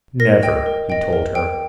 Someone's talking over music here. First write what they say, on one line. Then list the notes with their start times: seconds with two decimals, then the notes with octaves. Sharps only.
"Never," he told her.
0.20 A#4 A#6
0.43 D#5 G5
0.66 A#4
0.90 D#5 G5
1.13 A#4
1.35 G5